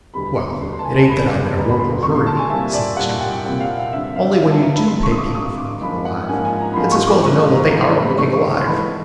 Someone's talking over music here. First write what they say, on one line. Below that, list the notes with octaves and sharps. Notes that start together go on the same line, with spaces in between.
'Well, it ain't that I'm in a mortal hurry,' said Mr Boffin; 'only when you DO pay people for looking alive, it's as well to know that they ARE looking alive.
E1 D2 D3 G3 B3 B5
A#5
E1 D2 D3 G3 B3 C6
C6
A5
G#5
A5
E1 D2 D3 G3 B3 B5
D6
E1 D2 D3 G3 B3 A#5
B5
C6
C2 A#2 G3 C4 C#6
C6
A5
G#5
C2 A#2 G3 C4 E5
D5
C2 A#2 G3 C4 F#5
G5
C2 A#2 G3 C4 G5
F5
E5
G#1 G2 D3 E5
F5
G#1 G2 D3 E5
A5
A#5
B5
G#1 G2 D3 C6
C#6
D#6
D6
G#1 G2 D3 D#6
D6
G#2 F3 A#3 C#4 B5
F#5
G#2 F3 A#3 C#4 G#5
G#5
A#5
B5
G#2 F3 A#3 C#4 C6
C#6
D6
G#2 F3 A#3 C#4 C#6
A#5
G#2 E3 A3 A#5
B5
G#2 E3 A3 C#6
C6
G#2 E3 A3 B5